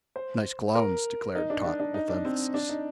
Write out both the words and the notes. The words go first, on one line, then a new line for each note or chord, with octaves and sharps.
"Nice Clowns," declared Tot, with emphasis.
C5
A#4
D#4
D4
D4
D4
D#4
D4
C4
D4
D#4